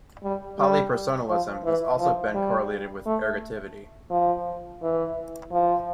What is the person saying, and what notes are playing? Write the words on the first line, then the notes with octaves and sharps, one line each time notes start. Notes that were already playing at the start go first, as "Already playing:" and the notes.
Polypersonalism has also been correlated with ergativity.
G3
G3
F3
E3
F3
G3
A3
F3
E3
F3